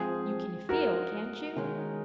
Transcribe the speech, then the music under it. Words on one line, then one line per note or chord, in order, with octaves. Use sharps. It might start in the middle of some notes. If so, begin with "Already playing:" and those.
"You can feel, can't you?"
Already playing: G#2 F3 G#3 C4 G#4
F#4 A#4
D#3 G#3 C#4